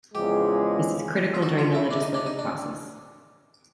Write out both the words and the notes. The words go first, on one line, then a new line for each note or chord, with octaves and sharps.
This is critical during the legislative process.
E2 C#3 F3 G#3 G4
F4
F#4
F4
E4
D4
D#4
D4
D#4
D4